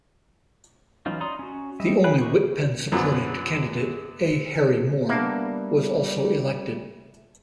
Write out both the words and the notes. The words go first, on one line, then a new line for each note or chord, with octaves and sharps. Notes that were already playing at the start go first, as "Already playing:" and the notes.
The only Wittpenn-supported candidate, A. Harry Moore, was also elected.
E3 F#3 C#4 D#4 F4
D#4 D5 A#5 C6 D#6
C#4 F#4
G3 D#5 E5
F5 G5 G#5 B5 F#6
D#3 G#3 D#4 G4 C#6
F#2 D3 F3 F#3 B3
G3 A#3 B3 D4 E5